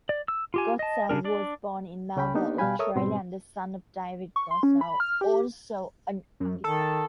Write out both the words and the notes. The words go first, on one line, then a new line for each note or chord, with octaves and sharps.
Godsell was born in Melbourne, Australia, the son of David Godsell, also an architect.
D5
E6
F4 G4 G#5
D#5 A5
C#3 C#4 D4 A#4
D4 D5
C#2 C#3 C#4 G5 B5
A#3 B3 D4 D#4 G4
B2 G3 F5 G5 G#5 B5
A4 A#4 C#5 E5 D#6
G#2 B2 G3 C4 C6
C#6
C6
C#4
B5
F6
G4
F#2
D#3 A4